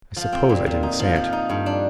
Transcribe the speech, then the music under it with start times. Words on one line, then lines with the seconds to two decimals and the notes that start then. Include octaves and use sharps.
I suppose I did say it.
0.16 F3
0.33 C4
0.49 A#2
0.66 A#2
0.83 D#4
0.99 F3
1.16 F3
1.33 D#4
1.50 G2
1.66 D4